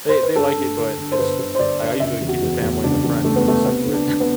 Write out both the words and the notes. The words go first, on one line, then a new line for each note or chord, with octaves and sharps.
they they like it, but it's I I usually keep the family and the friends, uh, separate
C5
B4
G2 A4
G2
D3
D3
C5
G1 B4
G1
C5
G1 D5
D3
F#1 E5
E2
F#4
E2
E2
F#1 D4
E2
F#1 A3
B3
D3 A3
C3 B3
D2
D4
D2
B3